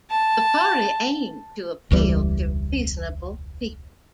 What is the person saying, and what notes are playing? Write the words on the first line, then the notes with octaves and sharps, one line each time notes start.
The party aimed to appeal to 'reasonable people'.
A5
E1 C#2 E3 G3